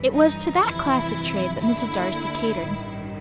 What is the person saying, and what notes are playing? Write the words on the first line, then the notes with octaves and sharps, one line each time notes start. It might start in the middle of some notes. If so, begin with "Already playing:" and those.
It was to that class of trade that Mrs. Darcy catered.
Already playing: G1 G2 E3
D#4
G1 F2 C3 E3 E4
D#2 D3 E4
A1 G2 D#3